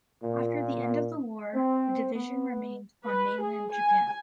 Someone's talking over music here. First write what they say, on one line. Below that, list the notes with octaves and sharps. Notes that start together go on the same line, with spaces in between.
After the end of the war, the division remained on mainland Japan.
A#2
C4
B3
B4
G#4
G#5